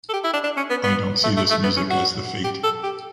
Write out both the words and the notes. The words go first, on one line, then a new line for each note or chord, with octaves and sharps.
I don’t see this music as the fate.
A4
G4
E4
D4
D4
C#4
B3
B3
A3
A3
A3
B3
C#4
F#4
G4
A4
G4